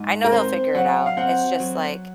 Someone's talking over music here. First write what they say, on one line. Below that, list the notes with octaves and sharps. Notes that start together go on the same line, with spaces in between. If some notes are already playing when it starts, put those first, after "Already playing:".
I know he'll figure it out. It's just, like
Already playing: G#2
A#4
C4 C5
F#3 F#5
F5
C4 F#5
F#3